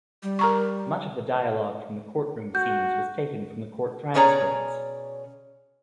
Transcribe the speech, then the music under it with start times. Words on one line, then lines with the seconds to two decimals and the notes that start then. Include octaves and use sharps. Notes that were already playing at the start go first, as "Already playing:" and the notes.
Much of the dialogue from the courtroom scenes was taken from the court transcripts.
0.23 G3
0.39 A#4 A#5 C#6
2.55 F#4 G6
4.14 B2 C#4 G#4 C#5 D5 A#5